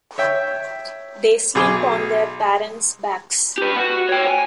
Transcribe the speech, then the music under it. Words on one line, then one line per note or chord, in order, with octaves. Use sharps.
They sleep on their parents' backs.
C#5 E5 G5
B1 G#4 D6
G4 B4
F#4
C#5 G5
G#5